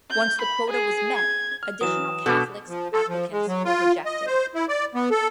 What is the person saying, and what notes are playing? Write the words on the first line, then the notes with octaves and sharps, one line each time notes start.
Once the quota was met additional Catholics applicants were rejected.
G6
B5
G#4
G#6
F6
E3 F#3 D#6 E7
B2 D4 F#4 A4 B4 F#5 D6
F3
A4
F3
G#3
F#3
F4
D#5
C5
E4
D5
B3
A4